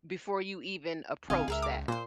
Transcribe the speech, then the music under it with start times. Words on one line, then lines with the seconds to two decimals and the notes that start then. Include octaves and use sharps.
before you even approach that.
1.30 A#1 D3 C4 D#5 F5 G#5
1.48 C#2 G#4 A#4 E5
1.62 D6
1.88 A#2 C5 C6